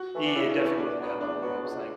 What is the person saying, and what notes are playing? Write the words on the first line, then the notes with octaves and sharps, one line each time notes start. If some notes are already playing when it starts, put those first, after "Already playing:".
Yeah, it definitely wasn't that long ago, it was like
Already playing: F#4
E3 A3
D4
C#3 E4
C#4
E3 A3
C#4
E2 D4
B2 F#3 B3 F#4
E2 D4
B2 F#3 B3 F#4
C#2